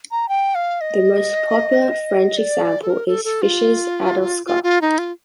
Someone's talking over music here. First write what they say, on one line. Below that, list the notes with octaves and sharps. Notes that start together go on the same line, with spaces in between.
The most popular French example is Fischer's Adelscott.
A#5
G5
F5
D#5
D5
A4
A#4
A4
A4
F4
F4
F4
D#4
F4